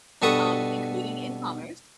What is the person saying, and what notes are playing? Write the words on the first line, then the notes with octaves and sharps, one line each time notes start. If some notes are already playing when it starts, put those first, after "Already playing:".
um, including in commerce
G2 B2 A4 B4 C#6 D#6